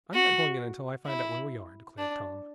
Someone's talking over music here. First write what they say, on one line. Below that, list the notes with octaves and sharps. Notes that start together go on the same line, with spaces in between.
"I'm not going in until I find out where we are," declared Tom.
F#4
E4
D4